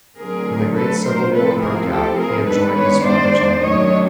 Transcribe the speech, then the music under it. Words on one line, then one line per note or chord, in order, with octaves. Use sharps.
When the great Civil War broke out he had joined his father's army.
D3 F#3 A3 C4 G#4 A#4
A4 B4
A#4 C5
C3 F3 A3 C4 E4 A4 B4
G#4 A#4
G4 A4
G#4 A#4
D#3 G#3 B3 D4 A4 B4
B4 C#5
C5 D5
F#2 D#3 F#3 A3 D4 C#5 D#5